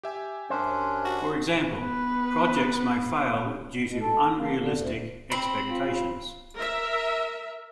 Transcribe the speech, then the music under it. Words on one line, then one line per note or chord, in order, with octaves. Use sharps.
For example, projects may fail due to unrealistic expectations.
G4 E5 G#5
F#2 C#4 D4 C5
F#4
B3 B4
B2
A4
A#3
D3
D2
C4 B5
F4
A#4 E5